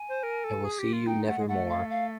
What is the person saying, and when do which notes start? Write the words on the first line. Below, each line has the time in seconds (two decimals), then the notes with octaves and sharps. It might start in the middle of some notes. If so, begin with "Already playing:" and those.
I will see you never more.
Already playing: G#5
0.09 C5
0.23 A#4
0.44 A4
0.65 G#4
0.79 G4
0.93 F4
1.06 D#4 G5
1.27 A3 F#5
1.38 G#3
1.49 A3 F#5
1.70 F5
1.90 F5